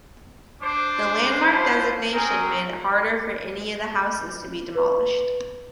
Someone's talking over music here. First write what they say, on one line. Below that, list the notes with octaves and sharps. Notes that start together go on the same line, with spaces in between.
The landmark designation made it harder for any of the houses to be demolished.
D4 C5 D6
C#4 D4 E4 F4 C5 A5
C4 C#4 G#4 A#4
B4